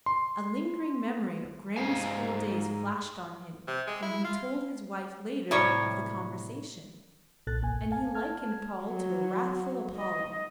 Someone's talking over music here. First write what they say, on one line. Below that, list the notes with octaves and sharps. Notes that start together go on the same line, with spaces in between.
A lingering memory of grammar school days flashed on him when he told his wife later of the conversation, and he likened Paul to a wrathful Apollo.
C6
G#2 C4 F5 G#5
C3
G#3
E4
F4
A2 C3 G3 C#5
B1 A#2 A4 F#6 A6
G1 A#3 G#5
F5 G#5 A5
A5 F6 G#6
F#3
D#5